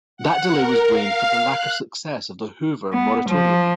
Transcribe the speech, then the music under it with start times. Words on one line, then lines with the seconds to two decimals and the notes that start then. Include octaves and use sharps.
That delay was blamed for the lack of success of the Hoover Moratorium.
0.17 F#5
0.51 A#4
0.86 F5
1.48 F#6
2.93 B3
3.29 F3